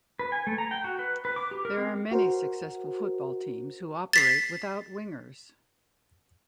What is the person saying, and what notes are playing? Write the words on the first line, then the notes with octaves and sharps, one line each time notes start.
There are many successful football teams who operate without wingers.
B4
G#5
A3
A#5
G5
F#4
B4
B4
D6
G4
A#4
C4
F#4 A#4 C5
A6 B6 C7